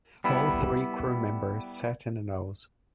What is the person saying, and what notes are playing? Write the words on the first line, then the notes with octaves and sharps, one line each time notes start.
All three crew members sat in the nose.
G3 B3 E4